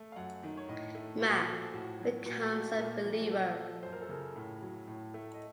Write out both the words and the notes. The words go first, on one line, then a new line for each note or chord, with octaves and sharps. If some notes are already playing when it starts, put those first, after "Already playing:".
Mac, becomes a Believer.
Already playing: A3
F5
F#2 F#5
D#3
C#5
A2 D#5
A3
A#2 F#4
A4
F#4
F3
A2 F#4
F#3
A#2 F#4
A3 F#4
A#2 A#4
F3
F#4
A#2 A4
F3
F#2 C5
A#4
A4
C#3 A#4
A2
F#3
A2
A3
D#5